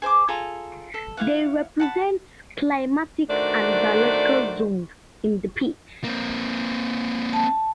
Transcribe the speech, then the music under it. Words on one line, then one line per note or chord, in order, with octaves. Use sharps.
They represent climatic and biological zones in the peat.
G#4 C5 A#5 D6
F4 G#4 A4 A#5
A4
E4 F4 F5 F#5
F#5 A5 B5
D#3 A3 D4 F#4 C5 D5
A#3 C4
A5